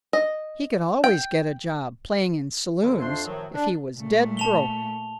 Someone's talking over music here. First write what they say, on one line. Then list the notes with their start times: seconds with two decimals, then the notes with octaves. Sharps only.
He could always get a job playing in saloons if he was dead broke.
0.13 D#5
1.04 G5
2.82 F2 G#2 D3 D#3 F#3
3.00 F2 A3 D4 C5 C6
3.25 F#2 A2 D#3 F3 F#3
3.54 D4
3.97 A#2 A3
4.37 A5 F7 G7